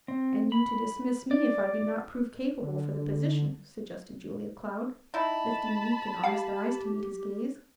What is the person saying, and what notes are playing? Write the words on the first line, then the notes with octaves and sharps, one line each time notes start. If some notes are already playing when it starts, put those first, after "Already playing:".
"And you to dismiss me if I do not prove capable for the position," suggested Julia Cloud, lifting meek and honest eyes to meet his gaze.
C4
B5
D5
D3
D#4 E4 A5 B5
G4 F5